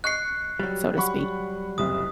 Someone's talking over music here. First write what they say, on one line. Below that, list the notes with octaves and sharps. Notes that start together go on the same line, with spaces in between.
So to speak.
D#5 C#6 F#6 C7 C#7
F#3 G3
F#5 B5 C#6
F#1 C2 D#6